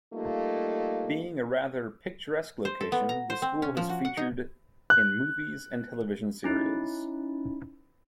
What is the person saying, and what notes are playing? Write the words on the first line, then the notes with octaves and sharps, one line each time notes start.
Being a rather picturesque location, the school has featured in movies and television serials.
G3 A3 A#3 D#4 F4
C5
A4
B3
A#5
C5
C4
C#4
F3
F#4
F#5
D#4
F#6
C#4 D#4 E4